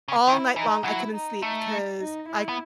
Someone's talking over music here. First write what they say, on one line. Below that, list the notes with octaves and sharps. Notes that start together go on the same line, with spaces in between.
All night long, I couldn't sleep because I c
C#3
D#3 E4
E3 D#4
F#3 E4
D#4
A3 D#4
D#4
E4
B3